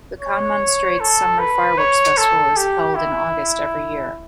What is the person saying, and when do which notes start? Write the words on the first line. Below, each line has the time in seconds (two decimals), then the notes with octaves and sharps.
The Kanmon Straits Summer Fireworks Festival is held in August every year.
0.20 C#5
1.00 A4
1.39 B4
1.78 C#5
2.17 A4
2.57 G4
2.95 E4